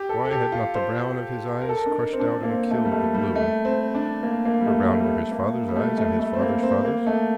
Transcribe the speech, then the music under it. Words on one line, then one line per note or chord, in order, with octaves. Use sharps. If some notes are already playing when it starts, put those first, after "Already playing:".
Why had not the brown of his eyes crushed out and killed the blue?--for brown were his father's eyes, and his father's father's.
Already playing: G4
A4
A4
G4
F4
C5
A#4
A4
A#4
D4
D#4
C4
D4
A#3
C4
A3
G3
A3
G3
A3
C4
D4
A#3
A#3
G3
A3
A3
G3
A3
A#3
G3
A3
A3
A3
C4
A#3
C4
A#3
A3